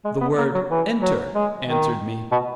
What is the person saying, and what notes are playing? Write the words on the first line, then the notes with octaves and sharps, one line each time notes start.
The word "Enter!" answered me.
G#3
B3
A#3
F#3
E3
F#3
G#3
D#3
B2